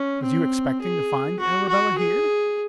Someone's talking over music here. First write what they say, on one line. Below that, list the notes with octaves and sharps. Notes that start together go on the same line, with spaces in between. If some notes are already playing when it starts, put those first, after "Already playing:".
"Was you expecting to find the Arabella here?"
Already playing: C#4
C4
G#4
F#4
F#4
G#4